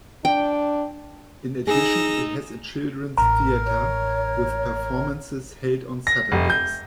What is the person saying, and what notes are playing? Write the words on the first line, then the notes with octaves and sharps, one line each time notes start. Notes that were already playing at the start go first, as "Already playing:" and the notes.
In addition, it has a children's theater with performances held on Saturdays.
D4 G5
D#4 G#4 E6 A#6
A1 A2 A#4 A#5
C#5
A#6
F1
G6